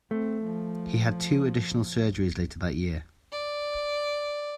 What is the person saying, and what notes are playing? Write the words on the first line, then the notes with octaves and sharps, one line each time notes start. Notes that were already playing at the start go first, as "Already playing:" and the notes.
He had two additional surgeries later that year.
A3 C4
F3
D5